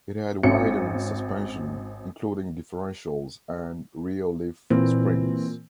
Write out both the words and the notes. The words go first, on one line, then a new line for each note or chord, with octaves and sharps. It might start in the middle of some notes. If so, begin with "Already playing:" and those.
It had widened suspension, including differentials, and rear leaf springs.
G#1 C#4 C#7
A#2 E3 C4